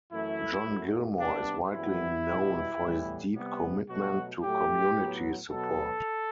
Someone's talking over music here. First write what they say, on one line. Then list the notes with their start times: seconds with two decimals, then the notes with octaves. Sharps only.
John Gilmore is widely known for his deep commitment to community support.
0.11 F#2 E3 A3 E4
0.65 F#2 F#3 A3
1.19 C3 G3 B3 D4
1.73 F#2 E3 G3 B3 E4
2.27 B2 G3 B3
2.81 A2 E3 G3 B3
3.34 C3 G3 B3
3.89 B2 F#3 A3 F#4
4.42 A2 F#3 A3 G4
4.96 A2 F#3 B3
5.50 B2 F#3 B3 A4